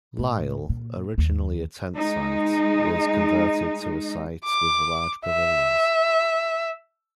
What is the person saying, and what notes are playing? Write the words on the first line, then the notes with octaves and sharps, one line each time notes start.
Lisle, originally a tent site, was converted to a site with large pavilions.
A2
A#2
D#2
G#3 D#4
D6
E5